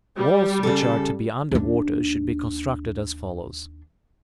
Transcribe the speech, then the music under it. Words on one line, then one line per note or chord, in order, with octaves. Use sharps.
Walls which are to be under water should be constructed as follows.
G3
C#3 A4
D#2 D4